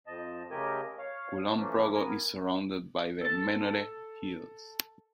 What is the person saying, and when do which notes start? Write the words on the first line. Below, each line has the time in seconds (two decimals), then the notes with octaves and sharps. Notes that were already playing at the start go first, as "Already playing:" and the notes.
Kulon Progo is surrounded by the Menoreh Hills.
0.07 F2 F3 D#5 A5
0.51 C#3 A3 G4 A#4 D#5 G#5
0.98 C#5 F5
1.57 E3 F3 A3 A#3 C#4 D4
1.95 B3 A#4 G#5
3.21 A4 A5